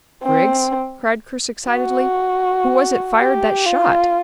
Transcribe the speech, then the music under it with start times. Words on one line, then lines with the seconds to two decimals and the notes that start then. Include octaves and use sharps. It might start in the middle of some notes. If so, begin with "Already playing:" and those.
"Griggs," cried Chris excitedly, "who was it fired that shot?"
0.23 C4
1.70 F#4
3.18 G4
3.66 F4